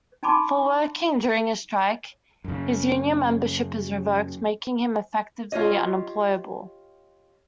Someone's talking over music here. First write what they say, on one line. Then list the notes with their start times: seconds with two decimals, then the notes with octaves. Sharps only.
For working during a strike, his union membership is revoked, making him effectively unemployable.
0.23 D#4 G#5 A5 B5 C6 D6
2.44 F#2 C#3
5.52 F4 G4 C#5 D#5